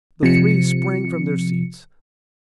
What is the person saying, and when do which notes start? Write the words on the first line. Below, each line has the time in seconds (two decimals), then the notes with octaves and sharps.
The three sprang from their seats.
0.23 C3 F3 C#7